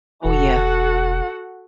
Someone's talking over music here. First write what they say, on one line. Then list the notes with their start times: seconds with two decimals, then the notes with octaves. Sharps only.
Oh, yeah.
0.25 E1 F#4 A4 F#5